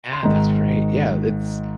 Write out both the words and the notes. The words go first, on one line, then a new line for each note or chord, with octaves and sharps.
Yeah, that's right, yeah, it's
C6
G#1 G#2 D#3 A#5